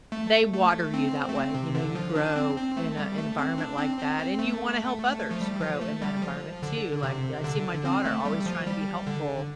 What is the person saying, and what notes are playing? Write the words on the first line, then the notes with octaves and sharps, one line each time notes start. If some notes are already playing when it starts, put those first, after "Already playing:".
They water you that way. You know, you grow in a environment like that, and you wanna help others grow in that environment too, like, I see my daughter always trying to be helpful,
A3
A3
C4
A3
C4
C3
D3
F3
D4
C4
C4
A3
G3
A3
C4
D4
C4
C4
C4
A3
F3
G3
F3
A3
G3
F3
D3
C3
D3
C4
A3
G3
F3
G3
D3